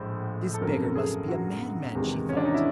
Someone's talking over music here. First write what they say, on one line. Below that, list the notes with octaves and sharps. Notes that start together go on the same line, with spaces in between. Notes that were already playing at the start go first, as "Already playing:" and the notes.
This beggar must be a madman, she thought.
Already playing: A#1 A2 F3 G#3 C5
A4
G1 F2 C#3 F#3 A#4
A4
G#4
F#4
E2 C3 D#3 G#3
C#4
D4
D#4
E4